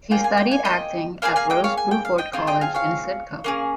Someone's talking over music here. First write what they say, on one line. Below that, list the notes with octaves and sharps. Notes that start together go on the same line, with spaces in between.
She studied acting at Rose Bruford College in Sidcup.
A#3 F4 G#4 G5
G#5
G5
G#5
D#5 G5
A#3 D#4 G#4 F5 G#5
F5 G#5
D#5 G5
C#5 F5
G#5
G5
F5
D#5 G5
C4 F4 G#4 D#5 G5
D#5 G5
F5 G#5
C#5 F5
A#3 C#4 G#4